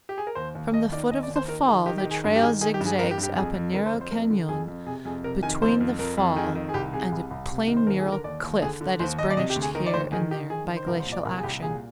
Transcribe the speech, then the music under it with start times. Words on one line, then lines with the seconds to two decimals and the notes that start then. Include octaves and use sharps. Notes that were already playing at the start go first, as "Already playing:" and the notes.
From the foot of the Fall the trail zigzags up a narrow canyon between the fall and a plain mural cliff that is burnished here and there by glacial action.
0.09 G4
0.18 G#4
0.27 A#4
0.35 D#2 C5
0.55 D#2
0.73 D#2 D#5
0.92 D#3 D5
1.11 D#2 D#5
1.23 D5
1.30 D#2
1.36 C5
1.48 D#3 A#4
1.67 D#3 G#4
1.86 D#3 G4
1.98 G4
2.04 D#3
2.11 G#4
2.24 G2
2.36 G4
2.42 D#3 G#4
2.61 D#3 G#4
2.74 G4
2.80 G2
2.86 G#4
2.99 G2 A#4
3.11 G4
3.18 G2
3.23 G4
3.36 F2 G#4
3.55 F2
3.74 D3 A#4
3.86 C5
3.93 F2
4.01 C5
4.11 F2 A#4
4.30 D3
4.49 F2 G#4
4.68 F2
4.87 C3 G#4
5.05 F2 G#4
5.24 C3 A#4
5.43 D#3 G#5
5.62 F2 C5
5.81 F2
5.99 F2 A#4
6.18 F2
6.36 D#3 G#4
6.55 D#3
6.69 G#4
6.74 C2 G4
6.93 C3 G#4
7.12 C2
7.31 C2
7.50 C3
7.68 D#3
7.77 C5
7.87 D#2 A#4
7.99 G#4
8.06 D3
8.12 A#4
8.24 D#2 D5
8.43 D#2
8.62 D3 G#4
8.81 D3
9.00 D#2 C5
9.18 D#2 D#5
9.30 D5
9.37 C3 D#5
9.50 G4
9.56 D2
9.62 G#4
9.75 D#3 A#4
9.86 D5
9.93 D2 C5
10.12 D#3 G#4
10.31 D#3 G4
10.50 D#3 G#4
10.69 D#3
10.77 C5
10.87 C2 A#4
11.00 C5
11.06 A#2
11.12 D5
11.25 C2 A#4
11.38 G#4
11.43 C2 G4
11.62 A#2 G#4